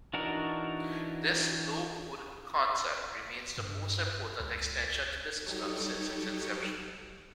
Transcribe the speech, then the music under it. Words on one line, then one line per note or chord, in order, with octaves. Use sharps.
This low-mode concept remains the most important extension to the system since its inception.
E3 D4 D#4 F#4 A#4
G2
C#2
F#3 G3 D#4 G4 A4 C#5